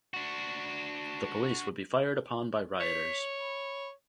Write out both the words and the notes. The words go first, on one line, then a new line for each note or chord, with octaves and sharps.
The police would be fired upon by rioters.
D4 F#4
C#5 B6
B5